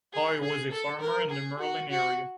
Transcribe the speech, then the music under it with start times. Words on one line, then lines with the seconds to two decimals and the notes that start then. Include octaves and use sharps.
Hoy was a farmer in the Merlin area.
0.13 G#4
0.43 G#4
0.72 A4
1.01 A#4
1.30 G#4
1.59 F#4
1.90 F#4